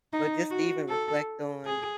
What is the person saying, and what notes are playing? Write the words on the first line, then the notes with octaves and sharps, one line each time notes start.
But just to even reflect on,
D#4
F#4
A4
G#4